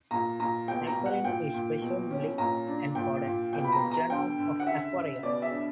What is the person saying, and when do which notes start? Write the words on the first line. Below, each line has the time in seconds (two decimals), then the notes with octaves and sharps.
Aequorin is presumably encoded in the genome of Aequorea.
0.11 A#2 A#5
0.40 A#2 A#5
0.68 B2 G5
0.87 A#5
0.96 B2
1.06 F#5
1.24 A#2 G5
1.54 A#2
1.81 B2
2.11 C#4
2.38 A#2 A#5
2.67 D4
2.95 A#2 G5
3.25 A#2
3.53 B2 G5
3.64 B5
3.72 A#5
3.81 B2
3.91 A#5
4.10 D3 G5
4.38 D3
4.60 F#5
4.67 C#3 E5
4.95 C#3
5.23 B2 D5
5.42 E5
5.52 D4